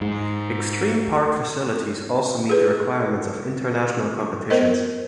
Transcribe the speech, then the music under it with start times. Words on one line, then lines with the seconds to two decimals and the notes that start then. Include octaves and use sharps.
Extreme park facilities also meet the requirements of international competitions.
0.01 G#2
2.49 G#4 A4 B4
4.50 B3 A#4 C5 D#5